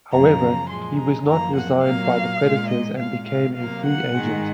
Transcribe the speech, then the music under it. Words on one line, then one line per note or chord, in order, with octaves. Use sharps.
However, he was not re-signed by the Predators and became a free agent.
F#2 C#3 F3 A#3 A#5
A#2 F3 G#3 C6
A#5
F#2 F3 A#3 A#5
F#5
A#2 F#3 A#3 F5
A#2 G#3
D#5
A#2 G#3 F5
F5
C3 F#3 A#3 F5
F#5
G#2 D#3 G#3